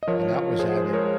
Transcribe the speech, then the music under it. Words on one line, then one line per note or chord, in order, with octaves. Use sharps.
And that was at it
D#5
F3 A#4 C#5
F3
F3 G#4 C5
G#4 C5
G#3
A#4 C#5